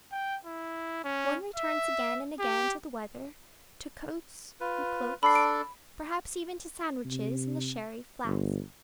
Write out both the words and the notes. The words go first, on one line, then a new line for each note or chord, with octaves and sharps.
One returns again and again to the weather, to coats and cloaks, perhaps even to sandwiches and the sherry flask.
G5
E4
C#4
E5
G4
F4 B4
D4 A4 D5 B5 C7
D7
C3
G1